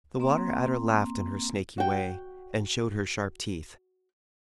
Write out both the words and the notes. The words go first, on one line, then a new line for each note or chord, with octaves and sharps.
The Water-Adder laughed in her snaky way, and showed her sharp teeth.
A#3 C4 A#5 C6
F#4 G5